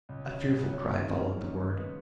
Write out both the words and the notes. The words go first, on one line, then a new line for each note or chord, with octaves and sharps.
A fearful cry followed the word.
C#2
B2 F#3 C#4
C#2
B2 F#3 C#4
G#1
F#2 D#3 A#3 C#4
G#1
F#2 D#3 A#3 C#4
D#2
C#3 G#3 B3